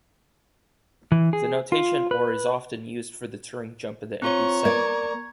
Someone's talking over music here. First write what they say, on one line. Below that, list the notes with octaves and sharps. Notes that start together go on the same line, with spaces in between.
The notation or is often used for the Turing jump of the empty set.
E3
G#4
F4
B4
C4 F4 C#5 A#5 C#6
A#3 D5 G#6